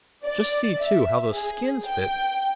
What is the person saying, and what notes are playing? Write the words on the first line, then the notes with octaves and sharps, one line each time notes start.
Just see, too, how those skins fit!
D5
E5
G#4
G5